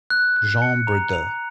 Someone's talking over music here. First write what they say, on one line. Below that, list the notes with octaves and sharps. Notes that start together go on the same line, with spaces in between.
Jean Bridaux.
F#6
F#6
C#7
A#5
F7